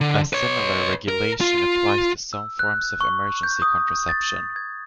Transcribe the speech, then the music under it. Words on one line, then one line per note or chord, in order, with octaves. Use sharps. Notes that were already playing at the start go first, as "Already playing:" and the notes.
A similar regulation applies to some forms of emergency contraception.
D3
B4 C#5
A#4
F4
E6
F#6
C#6
G6
D#6
A6
G#6